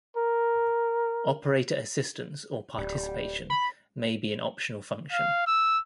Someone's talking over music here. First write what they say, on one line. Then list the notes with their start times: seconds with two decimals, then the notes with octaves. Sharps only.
Operator assistance or participation may be an optional function.
0.17 A#4
2.78 D1 G3
3.50 B5
5.12 F5
5.47 E6